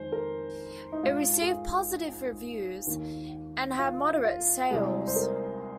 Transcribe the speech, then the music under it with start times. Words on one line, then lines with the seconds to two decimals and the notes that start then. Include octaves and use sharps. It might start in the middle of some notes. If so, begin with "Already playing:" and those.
It received positive reviews and had moderate sales.
Already playing: F2 D#3 G#3 C5
0.12 A#4
0.92 D#4
1.03 G#2 G#3 F4
1.41 G#4
1.50 F4
2.87 D#2 D#3 A#3
3.79 F4
4.25 F4
4.71 C2 C3 G#3 G#4
5.08 C5
5.16 A#4